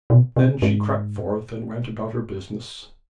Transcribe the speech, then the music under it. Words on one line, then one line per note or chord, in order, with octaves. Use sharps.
Then she crept forth, and went about her business.
B2
C3
G#2